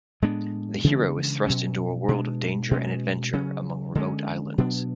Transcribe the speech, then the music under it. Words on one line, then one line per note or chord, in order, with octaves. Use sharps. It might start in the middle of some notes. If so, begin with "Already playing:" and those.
The hero is thrust into a world of danger and adventure among remote islands.
A2 G#3 B3 D4
C#3 E3 G#3 D4
B2 F#3 C#4
B2 G#3 D4
B2 G#3 C#4
C#3 F#3 C#4
D3 G#3 C#4
B2 F#3 B3 D4